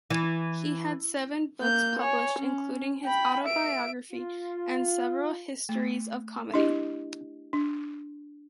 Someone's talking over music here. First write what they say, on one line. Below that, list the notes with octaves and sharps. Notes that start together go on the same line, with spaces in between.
He had seven books published, including his autobiography and several histories of comedy.
E3
A#3 G6
C#5 G#5
C#4
G5 B5
E5 D7
F4
A3
D4 E4 G4 D#5
D4